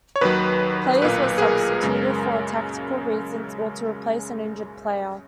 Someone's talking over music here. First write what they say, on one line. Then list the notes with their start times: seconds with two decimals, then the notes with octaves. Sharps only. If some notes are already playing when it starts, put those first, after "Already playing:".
Players were substituted for tactical reasons or to replace an injured player.
0.16 C#5
0.21 D#2 D#3 F#3 B4
1.02 B1 A#2 A#3 B4
1.38 G#4
1.42 A#4
1.83 F#2 C#3 G#3